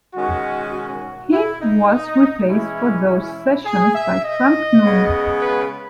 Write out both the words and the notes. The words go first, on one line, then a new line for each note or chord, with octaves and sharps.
He was replaced for those sessions by Frank Noon.
D#3 G#3 C#4 F#4
F#4
E4
D#4
E3 G#3 C#4 E4
E4
G#4
E5
D#5
C#3 G#3 B3
B4